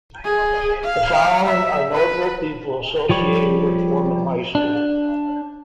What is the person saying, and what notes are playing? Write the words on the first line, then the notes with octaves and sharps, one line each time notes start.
The following are notable people associated with Foreman High School.
G#4
F5
E5
B4
F3 G3 C#5
D4